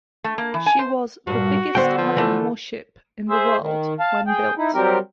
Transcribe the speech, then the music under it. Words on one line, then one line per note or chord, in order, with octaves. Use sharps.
She was the biggest iron warship in the world when built.
A3
A#3
E3
G#5
C5
G2 A#2 F#4
D3 B3 C5 G5
F3
E3 A3
G#4 C5 E5
D#3
F5 A5
G#4 G5
D#4 E4
F#3 G3 C4 G4 A#4